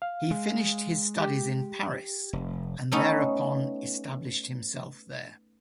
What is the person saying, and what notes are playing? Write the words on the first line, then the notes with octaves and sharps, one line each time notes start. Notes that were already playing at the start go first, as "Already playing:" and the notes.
He finished his studies in Paris and thereupon established himself there.
F5
G#3
G4
F1
A3 B3 C#4 D#4